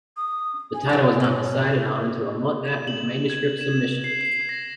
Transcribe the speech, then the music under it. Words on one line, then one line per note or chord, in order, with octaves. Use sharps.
The title was not decided on until a month after the manuscript's submission.
D#6
G#5
D3 F#3
G#2 B2 C#5
E7
F#7
G#6
E7
C7
C7
A#6